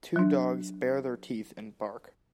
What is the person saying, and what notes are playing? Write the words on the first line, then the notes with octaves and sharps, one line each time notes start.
Two dogs bare their teeth and bark.
F#3 D4